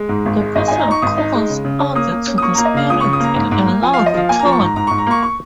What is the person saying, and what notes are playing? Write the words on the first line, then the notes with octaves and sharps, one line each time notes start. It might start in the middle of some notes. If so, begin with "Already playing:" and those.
The person calls out to the spirits in a loud tone.
Already playing: G#3
G#2
G#1
G#3
G#1 D#5
D#4 G#5
A#5
D#4 C#6
G#1 D#6
D#4
G#3
C#3
C#3
C#4
A#3 D#6
A#3
C#4
D#6
A#3 C#6
A#3 A#5
D#5
C#3 F5
C#2 D#6
C#3 C#6
D#6
A#3 A#5
G#2
G#2
A#3
F3 G#5
F3 F5
D#5
F3 F5
A#3 G#5
F3 A#5
C#6
G#2 A#5
G#2 A#5
G#2 C#6
A#5
A#3 C#6
C#6